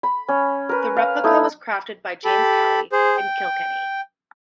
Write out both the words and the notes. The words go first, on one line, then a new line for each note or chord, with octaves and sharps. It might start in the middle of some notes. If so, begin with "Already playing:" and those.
The replica was crafted by James Kelly in Kilkenny.
B5
C#4
A#4 B4
F5
A3 D#4 E4
G4 A4 B5
G#4 C5
G5